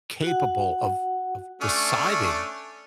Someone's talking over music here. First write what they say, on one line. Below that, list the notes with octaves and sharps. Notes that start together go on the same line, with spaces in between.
capable of, of deciding
F#4 F#5
A3 C#4 D4